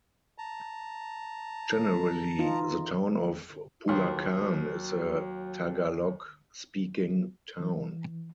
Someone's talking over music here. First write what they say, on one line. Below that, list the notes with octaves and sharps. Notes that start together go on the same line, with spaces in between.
Generally the town of Bulakan is a Tagalog speaking town.
A5 A#5
E3 D#4 F4
D#2 F#3 C6
E3